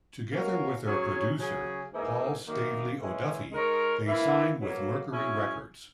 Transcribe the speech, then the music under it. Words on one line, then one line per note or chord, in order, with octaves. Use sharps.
Together with their producer, Paul Staveley O'Duffy, they signed with Mercury Records.
B2 A#3 C#4 F#4 A#4
F#3 C#4 G#4 C#5
C#3 F#3 C#4 G#4
G#2 E3 A#3 D#4 G#4
F#2 D#3 A#3
E3 G#3 C#4
G#3 D#4 A#4 C#5
E3 A#3 E4
B2 F#3 A#3
F#3 C#4 E4 G#4